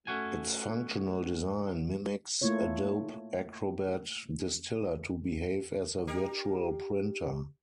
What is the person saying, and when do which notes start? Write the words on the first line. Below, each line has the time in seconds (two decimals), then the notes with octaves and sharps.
Its functional design mimics Adobe Acrobat Distiller to behave as a virtual printer.
0.07 A3 C#4 F#4 G#5
2.42 A3 A#3 E4 F4 C#5
6.07 D4 G4 A#4